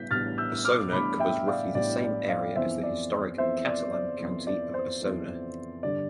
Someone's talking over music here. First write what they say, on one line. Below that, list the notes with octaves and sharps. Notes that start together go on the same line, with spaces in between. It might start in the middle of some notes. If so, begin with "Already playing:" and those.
Osona covers roughly the same area as the historic Catalan county of Osona.
Already playing: A1 A2 G3 B3 G6 B6
A1 A2 G3 B3 D4 F6 A6
E6 G6
D6 F6
A1 A2 G3 B3 D4 B5 D6
E5 G5
D5 F5
A1 A2 G3 B3 D4 D5
D5
D5 F5
F2 E3 B3 C5 E5
D5
F2 E3 B3 C5 E5
D5
D5
F2 E3 B3
D5
C5
F2 E3 B3
G2 D3 G3 D5